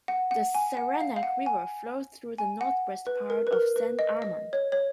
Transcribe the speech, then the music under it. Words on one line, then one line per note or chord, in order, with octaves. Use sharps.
The Saranac River flows through the northwest part of Saint Armand.
F#5
F#5
G#5
F#5
F5
F5
F#5
G#5
G#5
F#5
B4
A#4
B4
A#4
B4
D#5
D#5
C#5
C#5